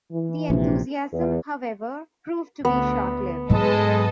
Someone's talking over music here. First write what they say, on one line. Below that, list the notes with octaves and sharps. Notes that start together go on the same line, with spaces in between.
The enthusiasm, however, proved to be short lived.
E3
A#1 C3
E2
D2 B3
G#2 F#3 G#3 A4 B4 D#5